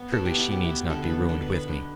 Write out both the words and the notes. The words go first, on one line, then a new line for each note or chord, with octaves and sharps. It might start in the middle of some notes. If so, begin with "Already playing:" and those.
Surely she need not be ruined with me?
Already playing: B3
B2 A4
G4
B3
E4
B2 G4
E4
B3
D3 A4
B4
B3
D3 A4
B4
B3
B4
D3